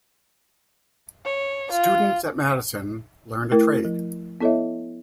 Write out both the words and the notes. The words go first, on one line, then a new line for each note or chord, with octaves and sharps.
Students at Madison learned a trade.
C#5
F4
A3 E4 A#4 G5
F3
B3 E4 A4 C#5 D#5 E5